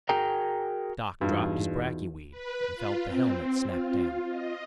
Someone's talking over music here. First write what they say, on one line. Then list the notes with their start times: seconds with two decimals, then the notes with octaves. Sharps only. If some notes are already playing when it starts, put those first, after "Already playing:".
Doc dropped his bracky weed and felt the helmet snap down.
0.09 F#4 G#4 A#4 G5 A#5
1.21 E2 G2 D#4 F4 F#4
2.31 B4
2.75 F4
3.05 C4
3.40 C4
3.69 F4
4.28 D#5